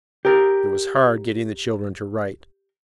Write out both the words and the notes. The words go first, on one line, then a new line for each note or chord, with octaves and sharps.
It was hard getting the children to write.
G4 A#4